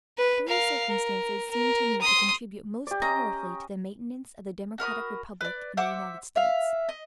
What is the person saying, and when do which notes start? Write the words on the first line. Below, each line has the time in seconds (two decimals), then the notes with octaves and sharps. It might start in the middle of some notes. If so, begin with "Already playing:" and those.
Three circumstances seem to me to contribute most powerfully to the maintenance of the democratic republic in the United States.
0.18 B4
0.48 A#4 F5
0.89 A#4
1.50 A#4
2.02 C6 D#6
2.87 G4 D5
3.02 C#4 D#5 A#5
4.78 F#4 A#4 B5 D#6
5.41 B4 D5
5.77 C5 E5 F#5 D6
6.36 E5 F5
6.89 D#5